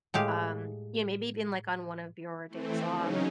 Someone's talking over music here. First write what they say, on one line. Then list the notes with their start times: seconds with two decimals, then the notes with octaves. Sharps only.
Um, yeah, maybe even, like, on one of your days off,
0.14 A2 G#3 G4 F5
2.48 E3 A3 C4
2.90 C#3 F#3 C#4 D#4